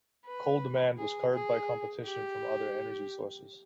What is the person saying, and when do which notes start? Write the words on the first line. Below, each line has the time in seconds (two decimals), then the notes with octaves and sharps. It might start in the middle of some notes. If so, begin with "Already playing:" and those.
Coal demand was curbed by competition from other energy sources.
0.26 B4
0.98 G#4
1.33 G#4
2.05 G4